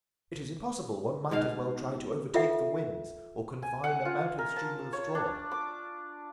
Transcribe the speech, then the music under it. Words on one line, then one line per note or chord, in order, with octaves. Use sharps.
It is impossible; one might as well try to overtake the winds, or confine a mountain-stream with a straw.
G#2 B2 F5
F4 A4 E5 F#5
G#5
F#5
F4
A#4
A5
C#5
D4
D6